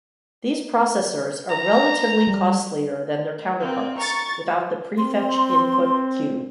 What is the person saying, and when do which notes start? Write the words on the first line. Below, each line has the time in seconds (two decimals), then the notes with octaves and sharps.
These processors are relatively costlier than their counterparts without the prefetch input queue.
1.50 A#5
2.27 G3
3.59 A#3 C4
3.98 A#5 C#6 A6
4.98 C4 C6